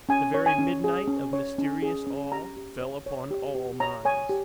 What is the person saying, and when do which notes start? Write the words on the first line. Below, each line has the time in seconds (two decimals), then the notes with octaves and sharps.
The very midnight of mysterious awe fell upon all minds.
0.09 C#4 G#5
0.34 C#5
0.46 G#5
0.59 C#4
0.84 G#4
1.08 C#4
1.33 C#5
1.58 C#4
1.82 G#4
2.07 C#4
2.32 G4 A#5
2.56 G4
2.81 C#5
3.06 C#5
3.31 G4
3.55 G4
3.80 C#5 A#5
4.05 C#5 G#5
4.29 G4